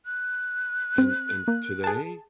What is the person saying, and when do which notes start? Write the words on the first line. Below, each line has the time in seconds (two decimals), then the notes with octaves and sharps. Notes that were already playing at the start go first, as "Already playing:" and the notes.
and and today,
0.05 F#6
0.98 C4
1.48 A#3
1.84 G#4 A5